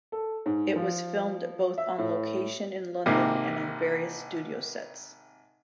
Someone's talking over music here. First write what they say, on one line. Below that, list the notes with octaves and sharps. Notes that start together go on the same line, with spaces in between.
It was filmed both on location in London and on various studio sets.
A4
G#2
F3
E5
A2
G#1 C3 A#3